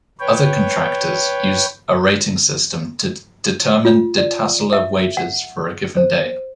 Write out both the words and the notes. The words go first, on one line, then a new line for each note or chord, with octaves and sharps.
Other contractors use a rating system to determine detasseler wages for a given day.
B4 C#5 G5
F4
D5
E5
F#5
C5